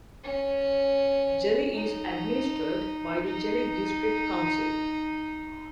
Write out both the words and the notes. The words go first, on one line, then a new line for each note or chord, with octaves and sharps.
Jeli is administered by the Jeli District Council.
C#4
D#4
D#4